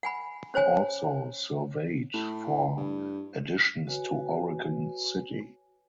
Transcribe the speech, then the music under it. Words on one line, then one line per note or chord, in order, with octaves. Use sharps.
He also surveyed for additions to Oregon City.
F#5 G#5 B5
C#4 C5 C#5 G#5
A2
G2
F#4 B4 C#5 G#5